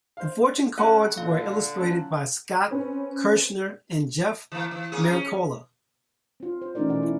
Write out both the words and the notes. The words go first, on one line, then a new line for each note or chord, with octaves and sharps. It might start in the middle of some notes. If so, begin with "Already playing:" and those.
The Fortune cards were illustrated by Scott Kirschner and Jeff Miracola.
C5 F5
C#4 A4 F#5 B5 C#6
A#2 D3 F5
F#2 A5 F#6
C4 C#4 B4
E3 A#3
E3
A#3 C#4 G#4
C#4
C4 F4
C5
E3 A3 C#4 D#4 A#4 D5
B2 E3 D5 F#5
E4